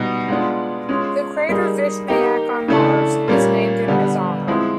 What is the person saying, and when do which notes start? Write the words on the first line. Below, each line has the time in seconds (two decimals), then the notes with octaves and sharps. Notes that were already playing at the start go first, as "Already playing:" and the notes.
The crater Vishniac on Mars is named in his honor.
Already playing: B2 G3 B3 D#4
0.28 G#3 B3 D4 F4
0.89 G#3 C#4 F4
1.49 G3 A#3 D#4 G#4
2.08 A#3 D#4 G4
2.68 C#3 E3 A3 D4
3.28 A#2 G3 A#3 C#4
3.88 D3 G3 B3
4.48 F3 G#3 C4 E4